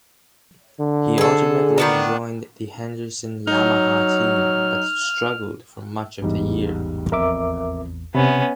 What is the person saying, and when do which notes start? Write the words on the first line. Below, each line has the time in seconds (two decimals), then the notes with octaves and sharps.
He ultimately joined the Henderson Yamaha team, but struggled for much of the year.
0.80 D3
1.18 G#4 A4
1.78 D#3 B3 D4
3.47 F#3 D#4 F6
6.22 A1 E2 G#2 G3
7.12 F2 A#4 E5 D6
8.15 C3 B3 C#4 E5 B5